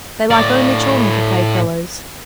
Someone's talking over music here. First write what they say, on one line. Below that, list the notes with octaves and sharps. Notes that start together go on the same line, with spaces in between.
They like only children for playfellows.
A2 D5